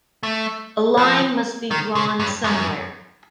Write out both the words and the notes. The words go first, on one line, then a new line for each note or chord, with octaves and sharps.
A line must be drawn somewhere.
A3
F3
D#3
C#3
G2
F#2